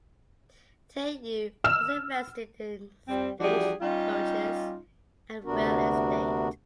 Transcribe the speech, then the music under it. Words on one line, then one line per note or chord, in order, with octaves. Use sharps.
Tilyou also invested in stagecoaches and real estate.
E6 F6 E7
F2 G3 C4
E3 F3 G3 D4 F#4 G#4
G3 C#4 D#4 F4
D2 C3 B3 D4 F#4 A#4